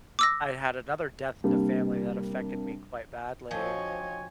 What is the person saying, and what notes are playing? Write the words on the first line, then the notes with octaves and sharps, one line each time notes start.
I had another death in the family that affected me quite badly,
D6 E6 A#6
C3 G3 A#3 D4
F3 C4 D4 F#4 C#5 D#5 G#5